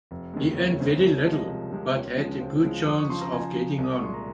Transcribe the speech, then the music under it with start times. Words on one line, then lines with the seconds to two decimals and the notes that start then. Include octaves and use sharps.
He earned very little, but had a good chance of getting on.
0.11 F1
0.33 D#2 C#3 G#3
0.56 F1 C#5
0.80 D#2 C#3 G#3 C5
1.03 C2 C#5
1.19 C#5
1.25 C3 F3 G#3
1.33 D#5
1.48 C2 D#5
1.72 C3 F3 G#3
1.95 C#2 C#5
2.18 C#3 F3 G#3
2.40 C#2 C5
2.64 C#3 F3 G#3
2.86 F2 D#6
2.98 C#6
3.09 C#3 F3 C6
3.21 A#5
3.32 F2 G#5
3.55 C#3 F3
3.78 C2
3.84 D#6
3.95 C#6
4.01 A#2 G#3 C6
4.14 A#5